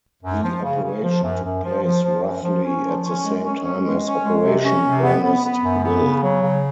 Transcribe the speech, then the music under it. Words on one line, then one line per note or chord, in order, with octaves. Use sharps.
The operation took place roughly at the same time as Operation Earnest Will.
F#2
F3
C#3
C#3
F3
F#2
F#2
F3
F3
F3
F#2
F3
C#4
F3
C#4
G#3
C#4
C#4
G#3
C#4
G#3
C3
C#4
C3
B3
B3
B3
F#2
B3
C#3
F#3
C#3